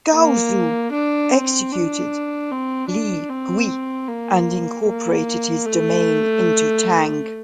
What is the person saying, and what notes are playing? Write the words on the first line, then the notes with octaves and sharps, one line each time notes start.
Gaozu executed Li Gui and incorporated his domain into Tang.
A#3
D4
C4
D4
C4
D4
C4
A#3
A#3
A3